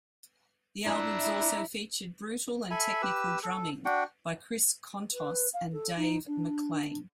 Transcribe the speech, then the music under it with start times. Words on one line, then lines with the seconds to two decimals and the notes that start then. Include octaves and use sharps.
The albums also featured brutal and technical drumming by Chris Kontos and Dave McClain.
0.86 D4 E4 A#5
2.71 A4 E5 G#5 B5
3.02 G4 B4 E6
3.43 A4
3.85 D4 F#4 F#5 G5
5.11 B4
5.53 F5
5.72 A4
5.96 D#4
6.27 D4